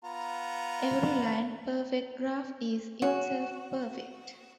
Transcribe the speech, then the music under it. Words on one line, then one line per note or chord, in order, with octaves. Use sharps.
Every line perfect graph is itself perfect.
B3 F4 A#5
C#4 F#4